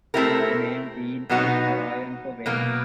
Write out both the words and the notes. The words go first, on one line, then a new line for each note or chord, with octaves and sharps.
The name Wene is Hawaiian for "Wayne".
A3 C4 E4 G4 A#4
B2 F#3 B3 D#4 F#4
B2 F#3 A#3